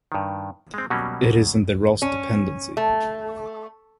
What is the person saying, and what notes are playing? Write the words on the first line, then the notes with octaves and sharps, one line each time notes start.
It is in the Ross Dependency.
G2 D#3
G#3 C4
B2 F#3 G3 A#3 C#4
C#4
A3